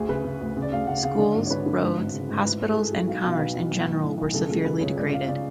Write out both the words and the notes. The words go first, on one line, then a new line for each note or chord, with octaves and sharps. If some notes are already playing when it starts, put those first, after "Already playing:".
Schools, roads, hospitals and commerce in general was severely degraded.
Already playing: D2 G#4
C#3 B4
C#3
D2
C#3
D5
D2 F5
C#3 F#5
C#3 F5
D3 D5
G#1
C#5
D3 B4
D3
G#1
G#1
C#3
G#1
A1 B4
A2
G#4
A2 A4
A1 F#4
B1 F5
B2 F5
B1 B4
B1
B1
A2
A2
B1
C#3 A4
C#2 G#4
C#3 B4
C#3 C#5
C#2 D5
C#3 F5
C#3 D5